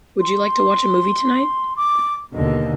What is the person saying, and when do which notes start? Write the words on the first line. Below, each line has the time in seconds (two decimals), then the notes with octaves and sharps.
Would you like to watch a movie tonight?
0.21 C6
1.77 D6
2.34 D#2 B2 D3 D#5